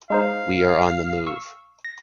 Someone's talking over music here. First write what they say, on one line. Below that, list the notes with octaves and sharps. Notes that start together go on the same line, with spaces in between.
We are on the move.
G#3 D#4 C5 F5
C#6 E6
A#6